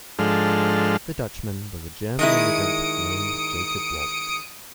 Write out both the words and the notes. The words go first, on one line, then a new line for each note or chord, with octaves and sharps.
The Dutchman was a German immigrant named Jacob Waltz.
G#2 F3 G#3 D4 A4 F6
D#3 G#3 E4 D#6 C#7 D7